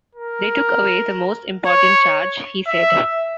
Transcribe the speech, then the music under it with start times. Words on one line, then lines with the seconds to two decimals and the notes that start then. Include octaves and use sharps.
"They took away the most important charge," he said.
0.15 A#4
1.66 C#5
2.66 E5